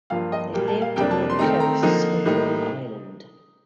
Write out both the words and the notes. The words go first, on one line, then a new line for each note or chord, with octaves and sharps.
They lived near the coasts of Long Island.
G2 F3 A#3 F4 F5
D#5
A#2 G3 A#3 G5
A5
F5
F2 C3 G3 A#3 D4 G5
A5
C6
D#3 A3 C4 D#4 A#5
A#5
D3 F3 A#3 D#4
A2 G3 A#3 D#4